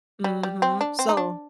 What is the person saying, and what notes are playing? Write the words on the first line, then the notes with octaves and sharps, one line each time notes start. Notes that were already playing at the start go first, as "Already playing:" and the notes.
Mhm, so
G3
G3
C4
D4
C4
D#4
D4